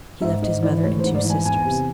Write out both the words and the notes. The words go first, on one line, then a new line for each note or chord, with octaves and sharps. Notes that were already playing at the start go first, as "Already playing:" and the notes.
He left his mother and two sisters.
G#2 E5
G#2 D#5
E3 D5
A3 C#5
C5
G#2
D5
E3
G#5
E2 G#5
C3